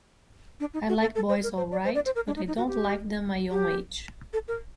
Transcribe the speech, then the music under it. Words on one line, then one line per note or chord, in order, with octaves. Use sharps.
I like boys all right, but I don't like them my own age.
D4
D#4
F#4
A4
A4
C5
A#4
C5
D5
C5
D5
C5
A#4
D4
D#4
D#4
F#4
G4
G4
A4
A#4